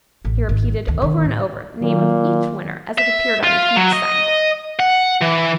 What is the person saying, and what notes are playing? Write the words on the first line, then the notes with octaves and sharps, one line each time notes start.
He repeated over and over, the name of each winner as it appeared on the huge signboard.
A1
G#1
D2 D#3
D#3 B3
A2 D3
A#2 D#3 F#3
E5
F4
F#3
D#5
F#5
E3